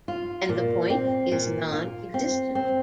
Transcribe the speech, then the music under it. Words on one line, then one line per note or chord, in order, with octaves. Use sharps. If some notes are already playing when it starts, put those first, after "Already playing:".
And the point is non-existent.
F4
A#2
C4
A#2
F4
C4
C4